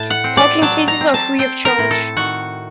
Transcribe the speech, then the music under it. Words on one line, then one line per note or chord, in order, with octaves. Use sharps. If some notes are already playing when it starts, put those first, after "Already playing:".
Parking places are free of charge.
Already playing: A2 A5
F#5
C4
D5
F#3 A5
A#5
C4
A5
C4 G5
A#4
A2
A4
D#3 F#4